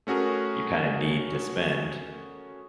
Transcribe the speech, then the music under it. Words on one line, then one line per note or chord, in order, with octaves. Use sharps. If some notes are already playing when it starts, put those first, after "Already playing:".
you kinda need to spend.
A3 C#4 F#4 G#4 A#4